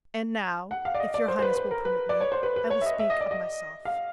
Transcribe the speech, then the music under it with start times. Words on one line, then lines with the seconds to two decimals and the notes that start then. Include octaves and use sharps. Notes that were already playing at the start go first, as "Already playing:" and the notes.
And now, if your highness will permit me, I will speak of myself.'
0.71 F#5
0.85 F5
0.94 D5
1.00 D#5
1.14 D5
1.28 C5
1.39 C5
1.42 B4
1.56 B4
1.71 A#4
1.85 B4
2.09 D5
2.21 C#5
2.32 C5
2.43 B4
2.56 B4
2.70 C#5
2.81 E5
2.86 D#5
2.99 E5
3.10 D#5
3.21 D5
3.31 D#5
3.85 F5